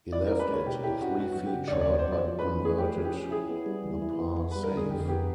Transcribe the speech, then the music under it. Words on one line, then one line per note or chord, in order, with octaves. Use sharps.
He left it three feet short but converted the par save.
E4 D5
C#4 A#4
B4
G#3 C#5
B2 G4
E4 G4
C#4 F#4
B3 F#4
F#3 F#4
G4
C#3
D5
D#2 C#5
D5
B3 C#5
C5
F#3 D5
F3
C#4 B4
A3 G#4
F3 G4
F3
G4
C#4
E4 G#4
B3
G3
E3
E4
B3
B3
G3 B4
A#4
D3 G#4
F2 G4
B3 G4